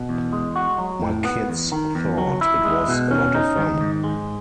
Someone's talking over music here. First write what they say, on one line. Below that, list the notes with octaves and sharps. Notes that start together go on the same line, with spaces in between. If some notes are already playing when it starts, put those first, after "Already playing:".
My kids thought it was a lot of fun.
Already playing: B2
E2
G#3
F#4
F#3
A2
B3
E2
D#3
E2
F#3
E4
G#3
B2
C#4
D#4
D#3
G#2
G#3